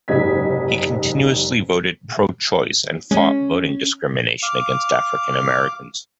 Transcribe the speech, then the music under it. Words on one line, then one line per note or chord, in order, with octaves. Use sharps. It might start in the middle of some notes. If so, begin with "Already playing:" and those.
He continuously voted pro-choice and fought voting discrimination against African Americans.
F#1 G#2 C3 D#5 G#6 B6
G#3 C#4
F5 D6